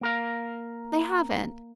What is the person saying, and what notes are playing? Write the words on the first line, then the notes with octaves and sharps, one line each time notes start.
They haven't.
A#3 A#4 F5